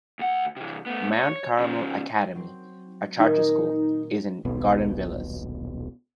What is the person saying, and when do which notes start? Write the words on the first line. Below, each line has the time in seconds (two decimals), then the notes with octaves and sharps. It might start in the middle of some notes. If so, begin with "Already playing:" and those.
Mount Carmel Academy, a charter school, is in Garden Villas.
0.19 D2 F#5
0.56 C3 E3
0.86 A3 B3
1.13 C#5
1.59 C#3 F3
2.35 F#3 C4
3.20 A#2 D#3 D#4 G#6
4.45 D#1 B1 B2